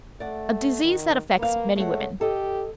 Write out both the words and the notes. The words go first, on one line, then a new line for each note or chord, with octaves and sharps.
A disease that affects many women.
A3 D5 F#5
D#3
A#3 B3 F5
G#3 A3 C#5 F#5
G4 A4 D#5